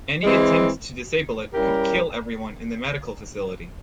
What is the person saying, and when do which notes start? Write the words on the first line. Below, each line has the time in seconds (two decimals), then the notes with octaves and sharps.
Any attempt to disable it could kill everyone in the medical facility.
0.23 E3 G#3 C4
1.54 G3 C#4 E4 G4 A#4